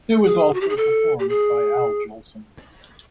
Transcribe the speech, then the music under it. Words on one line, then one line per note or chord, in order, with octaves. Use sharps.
It was also performed by Al Jolson.
G#4
F#4
G4
G#4
A4
G4
G#4